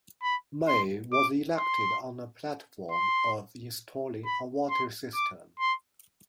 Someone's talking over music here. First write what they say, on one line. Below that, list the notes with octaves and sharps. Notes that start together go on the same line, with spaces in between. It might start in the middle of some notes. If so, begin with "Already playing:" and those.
May, was elected on a platform of installing a water system.
B5
C6
D6
C6
C6
B5
C6
D6
C6